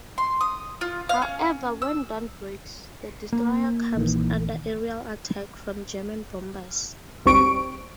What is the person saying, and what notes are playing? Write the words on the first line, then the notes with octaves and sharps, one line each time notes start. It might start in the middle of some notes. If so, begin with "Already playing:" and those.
However, when dawn breaks, the destroyer comes under aerial attack from German bombers.
C6
D#6
F4
F5
C#4
E6
A#3
A#1 D#3 E3
G#1 D2 G3 C4 C#6 D7